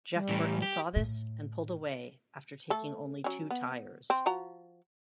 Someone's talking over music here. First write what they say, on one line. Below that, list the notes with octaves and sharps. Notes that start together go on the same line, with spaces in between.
Jeff Burton saw this and pulled away after taking only two tires.
G3
A2 E3
G4
A2
A3 A4
F#3 C#4
B3
C4
F3 F#4 A#5